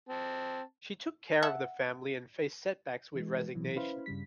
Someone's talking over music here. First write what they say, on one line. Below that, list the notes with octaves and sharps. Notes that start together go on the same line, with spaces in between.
She took care of the family and faced setbacks with resignation.
C4 A5
E5 F#5 A5
E3 G#3
B2 E3 F#3
C#4 E4 B4 C5 F5 B5
G2 C#3 G3 B6